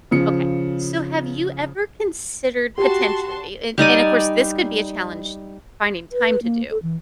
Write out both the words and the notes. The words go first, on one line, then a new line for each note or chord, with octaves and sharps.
Okay. So have you ever considered, potentially and and of course, this could be a challenge finding time to do.
C#3 F3 C#7
F#4 G4 A5 C6
G3 D#4 D5 G#5
B4
A#3
A4
E3